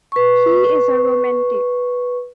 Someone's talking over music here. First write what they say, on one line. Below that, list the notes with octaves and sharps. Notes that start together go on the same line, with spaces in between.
He is a romantic.
B4 C#6